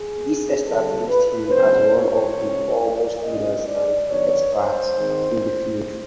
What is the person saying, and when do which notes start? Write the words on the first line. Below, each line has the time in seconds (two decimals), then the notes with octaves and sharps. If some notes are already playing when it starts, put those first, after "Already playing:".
This established him as one of the foremost leaders and experts in the field.
Already playing: G#4
0.66 D3 G3 C4 A4
1.09 B4
1.51 C#3 F#3 B3 D4 C5
1.95 C#5
2.37 C#3 F3 G#3 C#4
2.80 D5
3.23 B2 G#3 C#4 D#5
3.66 D5
4.09 D#3 F#3 B3 D4 C#5
4.52 C5
4.95 D#3 G#3 C4